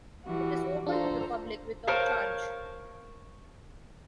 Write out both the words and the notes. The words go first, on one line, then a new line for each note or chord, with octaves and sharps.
It is open to the public without charge.
E3 G3 F#4
D4 F4 A4 C5 A#5
A#4 C5 C#5 F5 A5